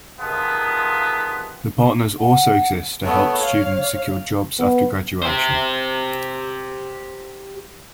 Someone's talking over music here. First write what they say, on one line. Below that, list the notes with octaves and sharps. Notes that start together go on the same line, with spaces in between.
The partners also exist to help students secure jobs after graduation.
C3 D#3 F3 B3 F4 G#4
F#5
A3 B3 C#5
F5
B3
G4 C5